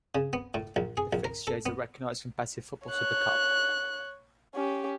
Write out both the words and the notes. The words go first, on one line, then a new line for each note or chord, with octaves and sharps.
The fixture is a recognised competitive football super cup.
C#3
B3
A2
A#1
G#4
A#1
A#4
A4
B3
C#5 F#6
C#4 G4